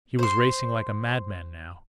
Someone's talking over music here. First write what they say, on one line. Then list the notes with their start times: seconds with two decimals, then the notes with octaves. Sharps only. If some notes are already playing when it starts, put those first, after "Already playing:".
He was racing like a madman now.
0.19 C5 C6